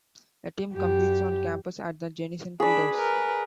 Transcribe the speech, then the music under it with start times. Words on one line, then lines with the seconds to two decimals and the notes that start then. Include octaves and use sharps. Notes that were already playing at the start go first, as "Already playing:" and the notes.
The team competes on campus at the Jenison Field House.
0.74 F#2 G4
2.60 D4 G#4 D5 B5
2.94 A#4 B4